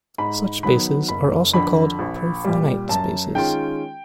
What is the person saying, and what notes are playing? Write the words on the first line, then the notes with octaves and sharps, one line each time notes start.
Such spaces are also called "profinite" spaces.
G#2 B5
D#3 F#3 B3 B5
F#1 B5
F2 D3 B5
A#1
A#2 G3
F#2 A5
D#3 G#3 C#4 F4 G5